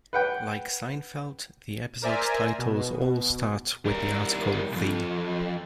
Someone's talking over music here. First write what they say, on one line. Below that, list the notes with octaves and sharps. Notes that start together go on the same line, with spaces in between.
Like "Seinfeld", the episode titles all start with the article "The".
B4 F#5 G5
A#4 C5 D5 E5 G#5 A#5
B2
G3 A#4
B1 F2